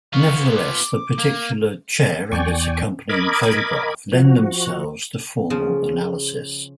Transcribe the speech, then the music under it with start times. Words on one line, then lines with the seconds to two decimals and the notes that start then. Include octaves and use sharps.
Nevertheless the particular chair and its accompanying photograph lend themselves to formal analysis.
0.13 B3 F4 C#6
0.54 D6
1.19 A#3
2.32 E2 D5 G5 G#5 C#6
3.09 A#4 D#5 B5 D6 G#6
4.12 F3 F#4
5.50 C#3 F3